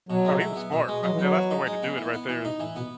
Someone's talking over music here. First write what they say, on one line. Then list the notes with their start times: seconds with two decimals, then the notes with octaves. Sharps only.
Oh, he was smart, a and that's the way to do it, right there is
0.09 B2 F#3
0.25 G#3
0.40 E4
0.56 B3
0.72 B2
0.88 G#3
1.03 F#3 G#3
1.11 E3
1.18 F#3 B3
1.34 F#4
1.51 D#4
1.66 G#3
1.82 B3
1.97 E3
2.14 B3
2.29 E3
2.44 B2 D#4
2.60 A2 E3
2.76 B2 B3